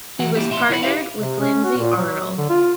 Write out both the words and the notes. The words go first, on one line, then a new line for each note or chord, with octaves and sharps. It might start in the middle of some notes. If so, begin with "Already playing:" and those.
He was partnered with Lindsay Arnold.
E3 F#4 F#5
A#3 E4 G4
A#2 E5 B5 C6
E2 E3 E4 C#5 F#5 B5
E4 G4 A4 B4 E5 F5
C3
C#4
F#4
A#2
F#3
D3
F4